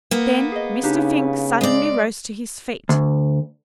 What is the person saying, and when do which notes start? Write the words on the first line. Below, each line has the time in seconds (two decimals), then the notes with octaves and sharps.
Then Mr. Fink suddenly rose to his feet.
0.11 A#3 B3
0.52 G#4 D#5
0.84 C#3 D4 D#4 G4
1.61 G#3 D5
2.89 D2